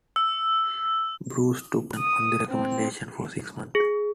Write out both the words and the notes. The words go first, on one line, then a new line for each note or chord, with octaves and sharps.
Bruce took no action on the recommendations for six months.
E6
D#6
C4
G#4